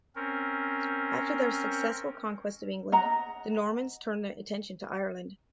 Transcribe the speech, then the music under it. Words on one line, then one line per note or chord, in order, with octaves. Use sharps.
After their successful conquest of England, the Normans turned their attention to Ireland.
C4 C#4 A#4
D#5 F#5 A#5